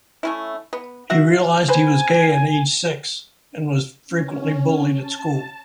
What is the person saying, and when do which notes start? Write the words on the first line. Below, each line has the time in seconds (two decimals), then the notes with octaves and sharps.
He realized he was gay at age six, and was frequently bullied at school.
0.23 A3 C#4 E4
0.73 B3
1.10 F#4 E5 F#5
1.68 B4 C5 G#5
4.07 C#4
4.90 A5